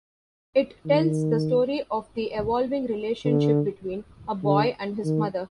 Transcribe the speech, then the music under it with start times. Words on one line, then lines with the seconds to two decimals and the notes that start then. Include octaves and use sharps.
It tells the story of the evolving relationship between a boy and his mother.
0.86 D#3
3.25 D3
4.44 D3
5.04 D#3